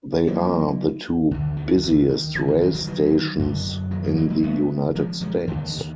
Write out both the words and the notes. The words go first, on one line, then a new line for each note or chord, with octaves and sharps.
They are the two busiest rail stations in the United States.
F#3 A#3
D2 D3
D#3
D3
D#3
D3 F3
D#3
D#3 F#3
D#3 F#3
D#3 F#3
F#2 D3
D#3 F#3
F3 G#3
F#3 A#3
F#3 A#3
G#3 B3
F3 G#3
F3 G#3
D#2 D3 D#3